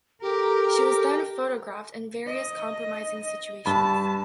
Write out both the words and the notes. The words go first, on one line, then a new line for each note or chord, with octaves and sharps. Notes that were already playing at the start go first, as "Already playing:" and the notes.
She was then photographed in various compromising situations.
G4 A4 A#4
D#5
G2 A5 B5